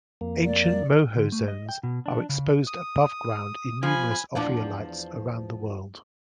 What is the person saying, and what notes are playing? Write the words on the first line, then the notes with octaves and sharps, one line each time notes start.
Ancient Moho zones are exposed above-ground in numerous ophiolites around the world.
F2 A#3
D5
D3
A3
D#5
G5
B2
D4
C#3
D#6
F3 G#5 B5
E2 F3 D4